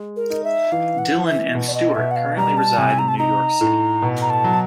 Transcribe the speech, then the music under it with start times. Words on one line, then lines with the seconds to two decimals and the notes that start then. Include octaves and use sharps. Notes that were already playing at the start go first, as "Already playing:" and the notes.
Dillon and Stuart currently reside in New York City.
Already playing: G#3
0.16 A#4
0.30 D#4
0.44 E5
0.72 E3 F5
0.98 F#5
1.12 E3
1.26 E5
1.55 B2
1.68 D5
1.74 D#5
1.95 B2 E5
2.11 F#5
2.16 F5
2.37 G3 A#5
2.57 A5
2.78 C3 G#5
2.99 A#5
3.08 A5
3.18 D#4 A#5
3.61 A2
4.02 B2
4.22 A#5
4.30 A5
4.44 F#3